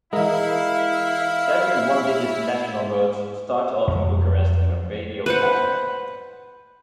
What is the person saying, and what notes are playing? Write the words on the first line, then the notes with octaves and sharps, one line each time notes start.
Seven one-digit national roads start off in Bucharest in a radial pattern.
E3 G#3 E4 A#4 D#5 F5
F2 F#3
B4 C5 F#5